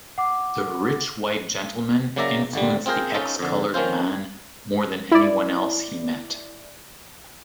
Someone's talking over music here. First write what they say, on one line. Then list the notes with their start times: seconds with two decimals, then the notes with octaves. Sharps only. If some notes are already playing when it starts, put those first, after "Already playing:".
The Rich White Gentleman influenced the Ex-Colored Man more than anyone else he met.
0.18 F#5 D6
2.16 C#3 F#3 A#3 D5 E5 A#5
2.53 G#1 D3 G3
2.86 C4 F4 G#4 A#4 C5
3.14 C#4 D#4 F4 A4
3.39 F2 D3
3.74 D#3 A#3 C#4 F4 C5
5.12 E4 D5